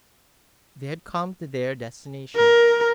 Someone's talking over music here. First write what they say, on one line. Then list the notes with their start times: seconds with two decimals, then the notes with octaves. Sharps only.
They had come to their destination.
2.36 A#4